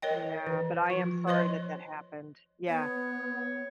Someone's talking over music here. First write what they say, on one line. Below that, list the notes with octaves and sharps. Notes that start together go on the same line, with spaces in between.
Yeah, but I am sorry that that happened. Yeah.
A#4 C#5 D#5 G5
E3
F3 F4
F3 C5 C#5 D#5 C6
B3 C#5